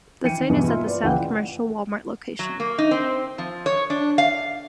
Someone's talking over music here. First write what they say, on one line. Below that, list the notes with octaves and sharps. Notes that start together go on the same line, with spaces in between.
The site is at the South Commercial Wal-Mart location.
E3 G5 C#7 D#7
D#3
E2 G2 B2 E3
A#3 E4 F4
F4 B4 D5
C#2 A#2 E3 F#5 G5
F#3
A#3
D#4
C4
F3
C#5
D4
F5